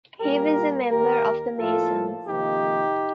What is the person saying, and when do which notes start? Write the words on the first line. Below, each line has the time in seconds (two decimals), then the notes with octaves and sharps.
He was a member of the Masons.
0.21 A#2 G3 A#3 G4 A#4
0.90 D#2 D#3 A#3 G4 A#4
1.59 A2 F3 A#3 F4 A4
2.27 F2 C3 D#3 A#3 D#4 G4